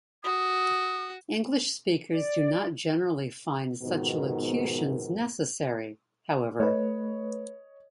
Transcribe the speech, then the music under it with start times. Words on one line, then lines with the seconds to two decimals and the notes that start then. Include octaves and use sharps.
English speakers do not generally find such locutions necessary, however.
0.24 F#4 D#6
2.12 D5
3.83 F2 G#2 B2 D#3 B3 A#4
6.60 A3 B4 C#5 D#5